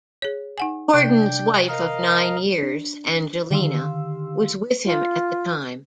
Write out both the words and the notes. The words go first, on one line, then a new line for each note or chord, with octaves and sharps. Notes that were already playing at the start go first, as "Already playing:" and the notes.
Corden's wife of nine years, Angelina, was with him at the time.
G#4 C#5
D#4 F#5 G#5
C3 D4 G5
A#4 D#5 F5
D4
D3 D#3 G4 F5 C6 E6
F4